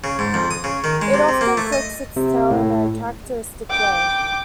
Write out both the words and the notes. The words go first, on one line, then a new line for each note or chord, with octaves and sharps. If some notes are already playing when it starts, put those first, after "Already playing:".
It often flicks its tail in a characteristic way.
C#3
G#2
F2
D#6
C#3
D#3
G#3
C3
C3
A#3
A3
D#5
C3
A2
G5 D6